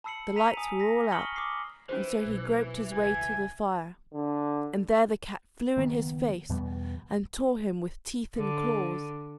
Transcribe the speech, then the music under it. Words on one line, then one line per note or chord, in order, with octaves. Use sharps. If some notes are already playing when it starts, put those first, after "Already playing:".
The lights were all out, and so he groped his way to the fire, and there the cat flew in his face, and tore him with teeth and claws.
A5 B5 E6 C7 C#7 F#7
A#5 B6 D#7 F7
G#5 A#5 D#6
A#6 B6
C#6 D#6 F6 C#7 F#7 G7
D6 D#6 C7
E3 C#4 F#4 C5
B1
C#2 G#5
D3
F#1 D#3 A#3 B3
E2 B2 G3 B3
D3